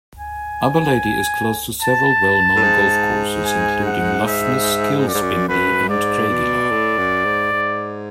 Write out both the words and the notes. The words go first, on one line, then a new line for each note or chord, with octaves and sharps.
Aberlady is close to several well-known golf courses including Luffness, Kilspindie and Craigielaw.
G#5
A5
A2
G#2
G#5
F#5
E5
F#2 D5
G#2
F#2
F#2 B4
G#2 D5
B2
A2
F#2
G#2
G#2